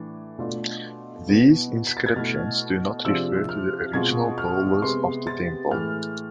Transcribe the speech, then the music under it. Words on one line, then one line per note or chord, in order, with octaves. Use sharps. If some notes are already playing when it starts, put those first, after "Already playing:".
These inscriptions do not refer to the original builders of the temple.
Already playing: A2 E3 D4
B2 A3 D4 F4
B2 B3 E4
B6
A6
G#6
B2 A3 E4 F6
C3 F3 G#3 D4 F4 E6
F6
B2 G#3 C4 F4 G#6
F6
C3 G#3 B3 C6
A6
A2 E3 G#3 F6